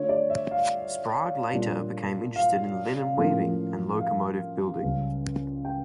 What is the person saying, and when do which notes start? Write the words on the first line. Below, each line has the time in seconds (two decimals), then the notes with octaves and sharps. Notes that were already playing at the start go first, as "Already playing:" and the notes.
Sprague later became interested in linen weaving and locomotive building.
Already playing: D3 A3 D4 F4 C#5
0.09 D5
0.30 E5
0.51 F5
1.53 A#2 G3 D4 F4
2.36 F5
3.18 A2 F3 A#3 C#4
4.01 F5
4.82 C#2 C#3 G3
5.65 G5